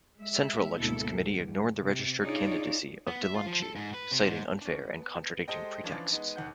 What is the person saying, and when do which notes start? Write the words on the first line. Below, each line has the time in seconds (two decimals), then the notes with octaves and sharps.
Central Elections Committee ignored the registered candidacy of Dilanchi, citing unfair and contradicting pretexts.
0.18 G#3 E5
0.77 D2 G#2 B2 A#3 E4 A4
1.16 G2
1.81 C3
2.21 D4 D#4 F4 G#4 C#5 D5
3.08 B3
3.23 E5
3.34 F4
3.46 F3
3.62 A4
3.76 G#2
3.94 B4
4.11 C3
4.28 G#2
4.61 C#4 D4
4.81 B3
5.48 G#3 G4 A4 C5 D#5 G5
5.84 E3 F3 C#4 D4 F4
6.12 G#3 B3 D#4
6.36 E1 D#2 F#5 G6